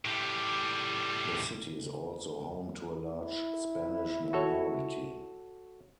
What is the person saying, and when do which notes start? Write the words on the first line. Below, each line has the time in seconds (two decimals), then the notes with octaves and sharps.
The city is also home to a large Spanish minority.
0.05 A2 G3
3.20 E4
4.33 F#4 A4 C#5